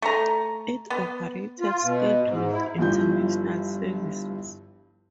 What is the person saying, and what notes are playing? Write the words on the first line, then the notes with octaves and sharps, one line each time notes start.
It operated scheduled international services.
A3 A#5
B3
F4
B2
G#2
E4
G1 G2 F3 E4 G6